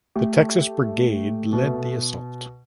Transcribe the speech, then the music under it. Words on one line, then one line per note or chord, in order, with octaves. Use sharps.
The Texas Brigade led the assault.
A3 G4
B2